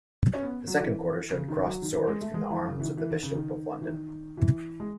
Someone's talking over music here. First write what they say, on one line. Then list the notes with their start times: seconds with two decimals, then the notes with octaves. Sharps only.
The second quarter showed crossed swords, from the arms of the Bishop of London.
0.34 C#4
0.43 B3
0.67 F#3
0.80 E3
1.31 C#3
1.48 D#3
1.65 F#3
1.82 D#3
1.95 E3
2.07 G#3
2.21 A3
2.34 G#3
2.50 E3
2.68 C#3
2.80 E3
2.85 D#3
2.97 E3
3.11 D#3
3.23 C#3
3.35 D#3
3.82 E3
3.87 D#3
4.37 E3
4.80 G#3